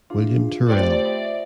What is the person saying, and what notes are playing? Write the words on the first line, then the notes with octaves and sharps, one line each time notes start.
William Tyrrell.
D4 F4 G#4
A3 C4 G4 C5 D5
B4 D#5 E5